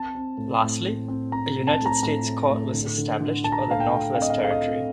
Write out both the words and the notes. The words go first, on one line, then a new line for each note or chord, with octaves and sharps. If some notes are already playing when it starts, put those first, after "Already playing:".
Lastly, a United States court was established for the Northwest Territory.
Already playing: C4 A5
C4
A2
A2
C4
C4
C4 A#5
C4
A5
A2
A#5
A2 A#5
A3
A2
D3
D3
D3
D3 A5
A#5
A5
A3 F5
G5
A3
C4 F5
D#5
F5
A3
F5
D#5
C4